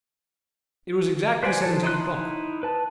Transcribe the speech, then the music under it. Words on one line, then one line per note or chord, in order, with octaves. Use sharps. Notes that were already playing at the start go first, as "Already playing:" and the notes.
It was exactly seventeen o'clock.
B4 C5 D5 F#5 G#5
F3 A4
D#4 E4 C6 F#6
B4 A5